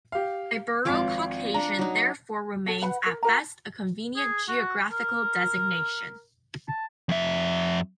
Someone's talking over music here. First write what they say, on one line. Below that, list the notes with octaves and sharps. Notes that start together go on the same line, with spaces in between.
"Ibero-Caucasian" therefore remains at best a convenient geographical designation.
G4 F5
G#1 F3 C4 F5 D6
D4 A#5
F#3 D#4
F#4 A4
B4 F#5 B5
A#4
F#4 A#4 A#5
G#4
F#4
A#4
A5
F2 E5